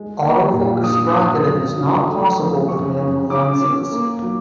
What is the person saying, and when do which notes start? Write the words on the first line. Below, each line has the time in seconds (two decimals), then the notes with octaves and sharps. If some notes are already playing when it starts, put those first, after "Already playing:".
Auto focus bracketing is not possible with manual lenses.
Already playing: G#3
0.22 A#3
0.53 A#2
0.83 G2 D#6
1.14 G2
1.45 F#3
1.76 F#3
2.07 A3
2.38 F3
2.68 F#2 C#6
2.99 F#2
3.30 C#4 D6
3.61 C#4
3.91 A#3
4.22 F#3